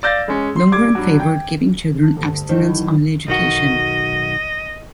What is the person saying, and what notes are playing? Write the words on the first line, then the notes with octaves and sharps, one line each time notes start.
Lungren favored giving children abstinence only education.
D5 F5 E6 G6 A6 A#6
G#3 C#4
C6 C7
G3 D6 G#6
G2 F#3
G5
D4
D2 G2 D3
E2 D#3 F#3 C5
E4
B1 D#3 F#4 D#5